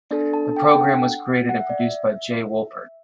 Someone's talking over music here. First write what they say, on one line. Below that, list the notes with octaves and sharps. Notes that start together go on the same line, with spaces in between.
The program was created and produced by Jay Wolpert.
B3 D4 A4 D5
A5
G5
A5
G5
F#5
F#5
E5
D5
E5